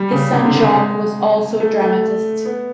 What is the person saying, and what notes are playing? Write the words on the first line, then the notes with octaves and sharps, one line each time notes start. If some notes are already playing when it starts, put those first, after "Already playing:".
His son, Jacques was also a dramatist.
Already playing: G3
C#3
C3
D3
D3
G#3
A3
A3
B3